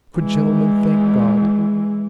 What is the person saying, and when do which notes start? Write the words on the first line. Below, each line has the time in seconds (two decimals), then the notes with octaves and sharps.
Good gentlemen, thank God!
0.18 E3 G#3